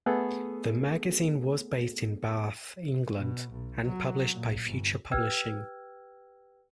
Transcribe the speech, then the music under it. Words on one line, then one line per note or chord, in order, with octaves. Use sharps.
The magazine was based in Bath, England and published by Future Publishing.
A3 B3 G#4 A4
B2
B1
F#3
A#2
G1
G4 B4 G5 E6 F6 G#6